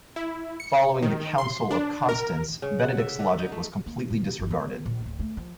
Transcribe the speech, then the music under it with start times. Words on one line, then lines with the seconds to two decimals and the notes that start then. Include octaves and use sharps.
Following the Council of Constance Benedict's logic was completely disregarded.
0.16 E4
0.60 C#7
1.02 D#3
1.38 C6
1.71 D4
2.09 A#4
2.62 C#3
2.79 F#5
2.98 E5
3.19 D3
3.39 D#4
3.52 A3
3.86 A#3
4.10 B2
4.39 G1
4.51 B3
4.86 A#1
5.06 D1
5.20 A3
5.37 F3